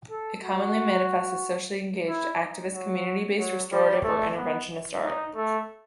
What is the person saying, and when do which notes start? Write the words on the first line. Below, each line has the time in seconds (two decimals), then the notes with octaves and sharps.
It commonly manifests as socially engaged, activist, community-based restorative or interventionist art.
0.11 A4
0.43 F#4
2.07 E4
2.40 D#4
2.73 F#3
3.39 F#3
3.72 G3
4.04 A3
4.37 B3
5.02 D#4
5.35 A3